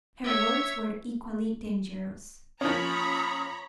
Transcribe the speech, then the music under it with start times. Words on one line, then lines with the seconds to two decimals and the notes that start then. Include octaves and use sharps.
Her words were equally dangerous.
0.24 C#5 E5
2.61 F3 A#3 C#4 C#5 A#5 B5 D#6